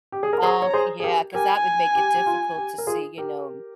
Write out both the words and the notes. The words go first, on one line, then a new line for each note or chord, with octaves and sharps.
Okay, yeah, 'cause that would make it difficult to see, you know,
G4
G#4
A#4
G#4 C5 A#5
C#5
G#4 C5
G#4
G4 A#4
G4 A#4 G#5
G4
G4
F4
G4
A#4
F4 G#4
G4 A#4